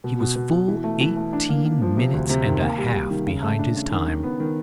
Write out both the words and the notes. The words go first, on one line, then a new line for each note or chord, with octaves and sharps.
He was full eighteen minutes and a half behind his time.
B2
B2
B2
B2
E3
A3
E3
A3
D4
A#3
A#3
F3
C3
D2
C3
D#3
A#3
G3
G3
D#3
C#3
A3
D4
C#3
D#3
D#3
B3
D#3